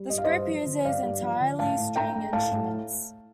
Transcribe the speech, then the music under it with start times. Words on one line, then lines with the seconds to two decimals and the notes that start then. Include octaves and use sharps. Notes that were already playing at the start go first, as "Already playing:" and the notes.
This group uses entirely string instruments.
Already playing: G3
0.10 G2 D#5
0.18 F5
0.24 G2 C5 D#5
0.48 F3
0.66 D3
0.84 G2 D5 F5
1.03 G2
1.22 F3
1.40 D3
1.59 A2 F5 A5
1.78 A2
1.96 D4 G5 A#5
2.15 A3
2.33 A2 F5 A5
2.52 A2